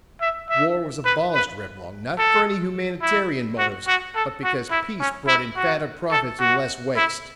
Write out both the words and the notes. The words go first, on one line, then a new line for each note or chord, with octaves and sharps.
War was abolished, Reblong, not for any humanitarian motives, but because peace brought in fatter profits and less waste.
E5
E5
B4
B4
A4
E4
F#4
F#4
A4
F#4
E4
C#4
E4
F#4
A4
F#4
E4